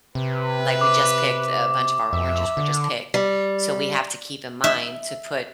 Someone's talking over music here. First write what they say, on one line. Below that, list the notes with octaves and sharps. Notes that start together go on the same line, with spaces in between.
like, we just picked a bunch of our oranges were just picked. So, we have to keep in mind to put
C3 B4
D6
F2 E5
D3
G3
E5